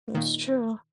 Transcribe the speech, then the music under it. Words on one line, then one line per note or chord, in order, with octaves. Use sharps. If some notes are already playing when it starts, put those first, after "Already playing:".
that's true.
A#2 D#3